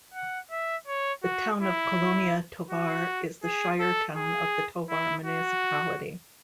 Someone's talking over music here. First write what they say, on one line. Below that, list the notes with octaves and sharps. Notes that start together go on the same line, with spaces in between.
The town of Colonia Tovar is the shire town of the Tovar Municipality.
F#5
E5
C#5
F#4
E4
F#4
G#4
A4
G#4
E4
F#4